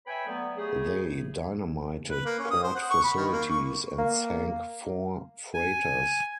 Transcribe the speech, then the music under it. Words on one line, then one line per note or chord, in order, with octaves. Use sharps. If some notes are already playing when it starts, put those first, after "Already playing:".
They dynamited port facilities and sank four freighters.
B4 C#5 E5 G5 G#5 B5
D3 F#3 A3 B3
C#3 A3 G4 G#4
B4
A#3
C#4
D#6
C5
F#5
C#6
B5
D#3
A#3
C#6
A#3
G#5